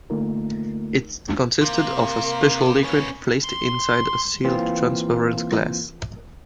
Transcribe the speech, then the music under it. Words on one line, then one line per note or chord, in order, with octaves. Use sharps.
It consisted of a special liquid placed inside a sealed transparent glass.
D3 A3 A#3 D#4 F4 A#4
C3 A#3
B3 C#4
C6
E3 A#3 C4 F4